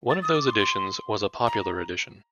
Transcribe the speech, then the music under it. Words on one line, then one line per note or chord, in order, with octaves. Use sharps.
One of those editions was a Popular edition.
A6
D#6
D6
C6
C6
A#5